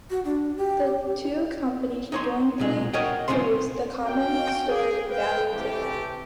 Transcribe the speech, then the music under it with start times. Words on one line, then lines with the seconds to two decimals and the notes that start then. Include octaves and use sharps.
The two companies jointly produced the common stored value ticket.
0.10 F#4
0.25 D4
0.57 G4
2.12 D#4 C#5 C6
2.60 B1 A#2 G#3
2.94 F#4 A#4 C#5 D#5 F#5 G5
3.28 C2 G2 A#2 D#3 C#4 C6
4.05 F2 C#4 F#4 C#5 F5 G5
4.68 G#4
5.09 B4 C5 F5 G5
5.54 C3 E3 A3 G4